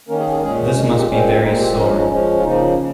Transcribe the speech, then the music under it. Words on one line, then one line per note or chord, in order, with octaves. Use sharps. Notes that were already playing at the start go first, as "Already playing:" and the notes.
This must be very sore.
D#3 A#3 C#4 A#4
G#4
G#4
A#4
A#2 G#3 C#4 G#4
A#2 G#3 C#4
D#4
G4
A#2 G#3 C4 C#4
A#2 G#3 C4 D#4
G4
F3 G#3 C#4 A#4
D#4
F3 G#3 C#4
F4
C#3 F3 A#3 D#4
C#3